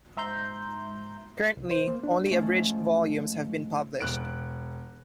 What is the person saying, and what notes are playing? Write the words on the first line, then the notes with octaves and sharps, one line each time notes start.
Currently, only abridged volumes have been published.
G#2 E5 A#5 C6 G6
C2
C5
A#3
D4
G#2 F3 A3 C#4
E1 F#6 D7